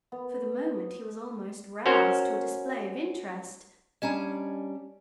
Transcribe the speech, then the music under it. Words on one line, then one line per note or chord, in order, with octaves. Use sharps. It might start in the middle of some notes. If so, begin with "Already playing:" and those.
For the moment he was almost roused to a display of interest.
B3
C#4 F#4 A#4 C5
G3 C#4 D4 D#5 G#5 A#5